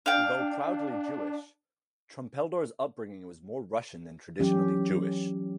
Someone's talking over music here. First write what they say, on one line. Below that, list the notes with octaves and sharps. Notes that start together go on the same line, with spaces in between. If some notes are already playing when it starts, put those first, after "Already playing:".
Though proudly Jewish, Trumpeldor's upbringing was more Russian than traditionally Jewish.
D4 F5 G5
E3 F#3 C#4 G4